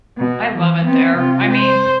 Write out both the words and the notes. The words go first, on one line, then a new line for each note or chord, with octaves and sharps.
I love it there, I mean
B2
E3
B3 C4
C3 F4
C5